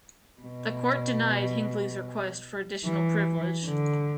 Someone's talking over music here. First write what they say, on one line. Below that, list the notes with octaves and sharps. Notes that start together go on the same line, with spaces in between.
The court denied Hinckley's request for additional privileges.
B2
E3
D3